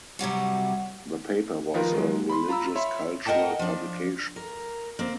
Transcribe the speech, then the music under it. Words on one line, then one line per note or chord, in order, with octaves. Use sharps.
The paper was a religious cultural publication.
C3 F#3 G3 F#4
D#3 F3 D#4 F4 A#4 B4
F#3 G#3
B5 C6
F4 A#5 B5 E6
C#5 E5 B5 C6
A#4 D#5 F#5 G5 A5
F3 D4
A#4
A#3 C4